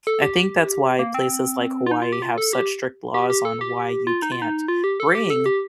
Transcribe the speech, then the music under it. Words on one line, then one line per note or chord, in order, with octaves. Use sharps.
I think that's why places like Hawaii have such strict laws on why you can't bring
A4
G4
A#3
C4
F4
D#4
F4
G4
F4
A4
G4
G4
G4
A4
G4
F4
D#4
F4
D#4
F4
G4
A4
G4
A4
G4